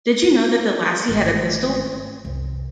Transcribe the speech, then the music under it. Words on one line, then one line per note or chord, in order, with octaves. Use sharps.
Did you know that the lassie had a pistol?
C4
G#1 A3
C2 F#2